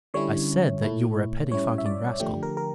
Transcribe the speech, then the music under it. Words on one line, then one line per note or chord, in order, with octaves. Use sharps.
I said that you were a pettifogging rascal.
D3 G3 C#4 E4 C#5
A#2 A3 E4
A2 G3 C#4 E4 C#5
E5
D5
D3 F3 A3 D4 G4
A#4
A#4